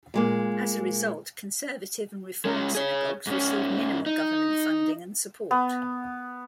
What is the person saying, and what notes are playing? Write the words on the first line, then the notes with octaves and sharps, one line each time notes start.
As a result, Conservative and Reform synagogues receive minimal government funding and support.
A#2 G#3 A#3
G#3 C#4
G#4 C#5
G#2 C#4
D#4
B3